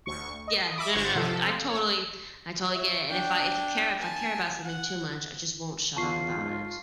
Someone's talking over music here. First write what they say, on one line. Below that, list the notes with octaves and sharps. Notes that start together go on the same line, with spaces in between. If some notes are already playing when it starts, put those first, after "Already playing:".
Yeah, no, no, no, I totally I totally get it, and if I if you care if I care about something too much, I just won't shut up about it.
D2 C#6
D#5
E5 B5 D6 D#6
G1 C5 F#5 C#6
C3 F3 A4
C#5
C#5 E5
D4 G5
G#5 A5
F#5
E2 F4 A5 C#6 C7
G#2